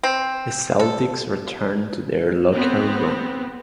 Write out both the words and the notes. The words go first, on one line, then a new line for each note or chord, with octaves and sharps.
The Celtics returned to their locker room.
C4
A4
B3 C4